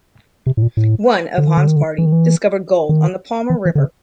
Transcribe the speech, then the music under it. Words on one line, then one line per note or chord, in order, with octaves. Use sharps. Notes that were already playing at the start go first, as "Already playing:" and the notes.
One of Hann's party discovered gold on the Palmer River.
C3
A2
A#2
A2
D3
D#3
D3
D#3
D3
E3
D#3
E3
D#3
E3
E3
D3
C#3